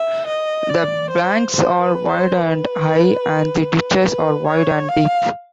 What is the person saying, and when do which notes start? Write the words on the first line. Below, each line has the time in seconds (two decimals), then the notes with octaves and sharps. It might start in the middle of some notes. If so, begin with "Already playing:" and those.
The banks are wide and high, and the ditches are wide and deep.
Already playing: E5
0.27 D#5
0.69 D5
1.11 C5
1.54 C5
1.82 B4
2.09 C5
2.37 B4
4.05 B4
4.47 C#5
4.89 F5